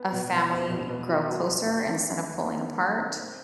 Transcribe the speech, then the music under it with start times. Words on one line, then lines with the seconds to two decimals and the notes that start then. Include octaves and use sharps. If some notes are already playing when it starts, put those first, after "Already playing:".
a family grow closer instead of pulling apart?
Already playing: B3
0.12 B2
0.32 B2
0.50 E2
0.69 B2
0.89 B2
1.08 F#3
1.27 F#3
1.46 E2
1.66 A3
1.85 D#3
2.04 A3
2.23 D#3
2.42 D#3
2.61 D#3
2.80 A3
2.99 D#3
3.18 C4